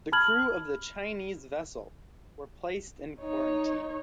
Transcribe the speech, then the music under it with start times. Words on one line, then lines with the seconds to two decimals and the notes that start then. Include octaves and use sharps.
The crew of the Chinese vessel were placed in quarantine.
0.12 A5 B5 F6 G#6 F#7
3.19 D#4 C#5